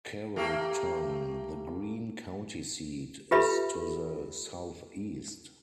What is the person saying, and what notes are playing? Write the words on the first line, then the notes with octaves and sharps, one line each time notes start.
Carrollton, the Greene County seat, is to the southeast.
A3 A#3 G4
F4 G4 A4 B4 E5 B5